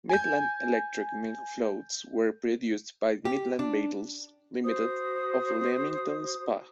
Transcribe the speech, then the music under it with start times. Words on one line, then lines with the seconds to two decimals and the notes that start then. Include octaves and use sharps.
Midland Electric milk floats were produced by Midland Vehicles Limited of Leamington Spa.
0.09 G#5 G6
3.25 G4
3.59 D4
4.64 F#4 C5 D#6